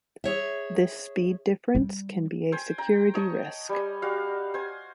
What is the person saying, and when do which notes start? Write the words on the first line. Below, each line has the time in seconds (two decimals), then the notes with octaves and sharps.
This speed difference can be a security risk.
0.24 G#4 C#5 E5
1.75 G3
2.52 C5 G5 G#5
2.78 G5 A#5
3.14 C#5 D#5 A5 C#6
3.69 G3 G#5
4.02 G3 F#4 F5
4.54 C5 G#5